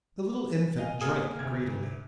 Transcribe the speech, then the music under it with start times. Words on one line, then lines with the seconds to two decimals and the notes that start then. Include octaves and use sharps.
The little infant drank greedily.
0.78 D#5 F5 G#5
1.01 A#3 G4 G#4 A#4
1.39 D2 C3 G#6